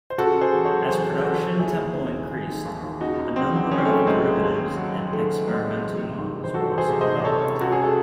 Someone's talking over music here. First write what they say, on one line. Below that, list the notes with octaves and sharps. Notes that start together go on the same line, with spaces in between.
As production tempo increased, a number of derivatives and experimental models were also developed.
C5
C#3 F#4 A4
C#3
G#4 C5
E2
A4 C#5
F#3
E2 G#4 C5
E2
E2 F#4 A4
C#3
D#2 E4 G#4
D#2
D#3
D#2
D#2
D#3
D#2
D#2
C#3 D#4 F#4
C#2
F#3 C4 D#4
F#3
F#3 C#4
C4
C#3 A3 C#4
C#2 G#3 C4
C#2
D#2
D#2
F#3
D#2
D#3 A3
F#3
F#3 G#3 C4
F#3
E2
C3
D#3
E2
C5
E2 F#4 A4
E2
G#4 C5
C3
C5 D#5
D#3
C3 A4 C#5
C#2
C#2 F#4
G#4
A4